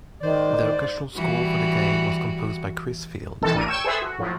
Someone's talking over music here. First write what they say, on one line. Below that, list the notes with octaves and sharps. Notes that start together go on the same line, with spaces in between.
The orchestral score for the game was composed by Chris Field.
G#2 D#3 C5 D5
E3 G3 F#4
B1 C3 D#3 E3 A4 A5
A1 A2 D4 A#4 D#7
G5 C#6 E6 G#6 E7
G#4 A4 B4 C5 E5 E6
F#4
A2 F3 F#3